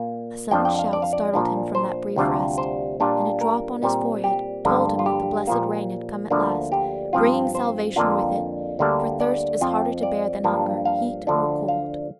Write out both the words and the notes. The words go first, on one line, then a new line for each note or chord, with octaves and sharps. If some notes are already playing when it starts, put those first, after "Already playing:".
A sudden shout startled him from that brief rest, and a drop on his forehead told him that the blessed rain had come at last, bringing salvation with it; for thirst is harder to bear than hunger, heat, or cold.
Already playing: A#2 A#3
F2 F3 D4 F4 G5
G5
F5
D5
F5
D5
A#2 F3 D4
C5
D2 C3 G3 D4 F4
C5
A#2 G3 D4 F4
A#4
A#2 G3 C4
G4
G2 D3 F3 A#3 F4
F4
G4
A#2 F3 A#3
D2 D3 F3 A#3 D4
G4
G2 F3 C4 F4
C5
F2 D3 A#3 D4 F4
D2 D3 G3 A#3 D4
D5
F2 F3 C4 F4
D5
G2 F3 A#3 D4
F5
D2 D3 F3 D4
F5